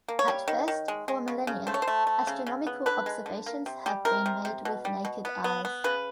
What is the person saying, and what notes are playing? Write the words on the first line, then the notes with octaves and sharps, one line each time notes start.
At first, for millennia, astronomical observations have been made with naked eyes.
A#3
C#5
G3
D#3
D#3
G#3
G#3
C#3
C#3
A3 C5
C#5
C5
A3
A3
C#3
C#3
B3
D3 B4
G#3
D3
A#3
C3
G3
C3 A#4
C3
C3
B2
G3
B2
B3
B3
B3
C#3 B4